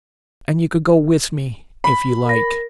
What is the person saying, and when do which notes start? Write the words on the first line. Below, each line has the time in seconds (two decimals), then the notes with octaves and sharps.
And you can go with me, if you like.
1.84 B5
2.26 A#4 A#6